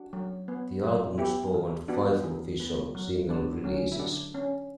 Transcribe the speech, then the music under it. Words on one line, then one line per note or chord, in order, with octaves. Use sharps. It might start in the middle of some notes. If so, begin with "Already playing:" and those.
The album spawned five official single releases.
Already playing: D4 F#4
F#3
B3
F#3
B3 E4 G4
E3
B3 D4 F#4
E3
B3
F#3
B3 D4
F#3 C#4
E4
D3 D4
C#4